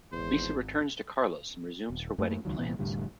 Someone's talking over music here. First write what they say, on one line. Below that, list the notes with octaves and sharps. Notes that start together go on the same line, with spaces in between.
Lisa returns to Carlos and resumes her wedding plans.
G#1 E2 C5
D#1
F#2 A3 A#3
C#2 G#2 D#3 F#3
C2 A#2 E3 B3
F1 A2 D3 G3